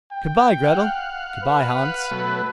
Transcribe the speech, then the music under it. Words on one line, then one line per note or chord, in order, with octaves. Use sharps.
'Goodbye, Gretel.' 'Goodbye, Hans.'
G5
F5 F#5
B4
B2 F#3 A3